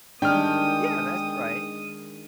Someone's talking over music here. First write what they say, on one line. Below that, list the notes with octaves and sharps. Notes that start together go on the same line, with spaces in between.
Yeah, that's right.
D#3 G#3 D4 G4 G5 D#6 F6